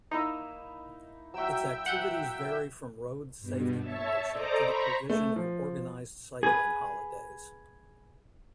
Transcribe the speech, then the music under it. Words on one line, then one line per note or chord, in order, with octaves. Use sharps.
Its activities vary from road safety promotion to the provision of organised cycling holidays.
A#3 D#4 E4 E6
F#3 F#4 E5 G5 E6
F#5 G6
G2 B2
C#5 E5 A5
A4 C5 D5 D#5 A#5 D6
C5 A#5 B5 C#6
A3
F3
G#4 B4